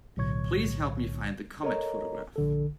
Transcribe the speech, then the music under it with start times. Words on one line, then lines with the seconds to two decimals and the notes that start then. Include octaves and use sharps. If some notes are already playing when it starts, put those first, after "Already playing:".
Please help me find the Comet photograph.
0.17 B1 A2 D3 C#5 C#6 G#6
1.63 A4 A#4 C#5 D#5 A#5
2.36 A#1 D3 A4